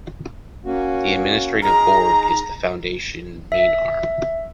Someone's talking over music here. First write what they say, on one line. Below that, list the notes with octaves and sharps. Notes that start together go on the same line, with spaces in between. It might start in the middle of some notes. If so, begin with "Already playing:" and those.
The Administrative Board is the foundation main arm.
A#3 C#4 F#4
D#4 G#4 A#5
E5